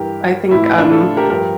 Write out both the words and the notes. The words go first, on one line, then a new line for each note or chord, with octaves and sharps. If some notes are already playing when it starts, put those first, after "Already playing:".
I think, um
Already playing: G2 E3 G4 A#4
A2 E3 E4
E4
D4 F4
F4 A4
G4 A#4
G2 F3 G4 A#4